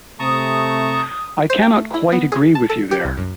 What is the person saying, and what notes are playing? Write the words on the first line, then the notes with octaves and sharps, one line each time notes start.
I cannot quite agree with you there.
C3 A3 C4 A5 A#5 C#6 D#6
C5
G5
A3
E4
B3
G#4
A5
A4
G4
C2
F#2